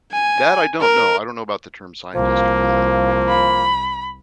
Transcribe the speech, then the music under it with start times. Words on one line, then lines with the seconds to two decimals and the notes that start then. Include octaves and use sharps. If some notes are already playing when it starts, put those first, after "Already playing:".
That, I don't know. I don't know about the term scientist or where that came from.
0.12 G#5
0.81 A#4
2.15 C2 F3 A#3
3.30 B5